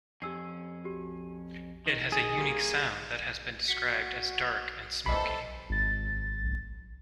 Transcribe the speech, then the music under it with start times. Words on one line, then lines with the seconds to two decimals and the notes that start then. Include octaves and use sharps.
It has a unique sound that has been described as "dark and smokey".
0.22 F2 C#4 G4 E6 C7
0.84 F#4 G4
1.86 D#3
2.12 G#4 G#5 A6 C7
2.38 G3 A#3 G4
3.68 F#4 B6 C#7
5.06 C3 E3 A4 C5 D#5 B5 C7
5.69 G#1 A6